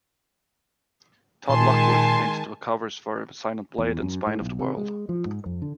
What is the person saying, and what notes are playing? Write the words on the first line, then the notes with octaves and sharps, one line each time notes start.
Todd Lockwood painted the covers for "Silent Blade" and "Spine of the World".
A#2 D#3 G#3 G#5 A5 C6
E2
F#2
A2
B1
C3
G#3
F3
G#2
F2
D3